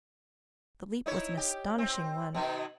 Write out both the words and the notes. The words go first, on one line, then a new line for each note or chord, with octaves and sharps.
The leap was an astonishing one.
D#4 E4 C#5
G4
C4
B2 D#3 D#4